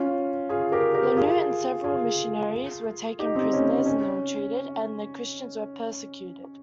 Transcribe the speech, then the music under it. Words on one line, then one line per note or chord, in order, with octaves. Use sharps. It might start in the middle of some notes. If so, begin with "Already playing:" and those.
Laneau and several missionaries were taken prisoners and ill-treated, and the Christians were persecuted.
Already playing: C#4 F4
F4 G#4
G4 A#4
G4 A#4
F4 G#4
F4 G#4
D#4 G4
C4 D#4
C#4
C#4
C#4